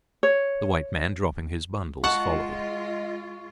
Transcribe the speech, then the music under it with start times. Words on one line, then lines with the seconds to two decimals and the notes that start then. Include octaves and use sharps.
The white man, dropping his bundles, followed.
0.23 C#5
2.04 G#3 F4 D#5 F#5 A5 C#6